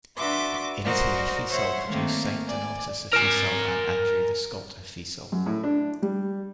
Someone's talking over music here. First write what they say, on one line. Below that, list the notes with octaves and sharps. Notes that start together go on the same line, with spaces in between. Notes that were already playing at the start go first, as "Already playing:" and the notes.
In Italy, Fiesole produced Saint Donatus of Fiesole and Andrew the Scot of Fiesole.
D4 F#4 B4 E5 C6 D6
F#4 A#4 C5 D5 D#5
C5 C#5 E5 F#5 C6
D#3 A3 A#3 C4 F5
D5 G#5
A#4 G#5 F6 D7 E7
F#2
A2
D4
G3